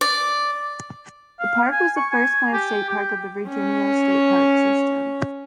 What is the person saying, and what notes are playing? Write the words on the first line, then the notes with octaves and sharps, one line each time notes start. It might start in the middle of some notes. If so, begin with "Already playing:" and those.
The park was the first planned state park of the Virginia State Park system.
D5
F5
G#5
C#6
G#5
G4
G5
C#4 C#5